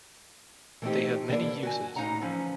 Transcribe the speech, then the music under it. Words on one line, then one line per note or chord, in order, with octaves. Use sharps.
They have many uses.
E3 A3 B3 C4 D#4 G4
D3 E3 A#3 C4 A4 D5
F#4 G#5
D#2 A2 D#4 F5 F#5 A#5
D3 E3 F3 C#4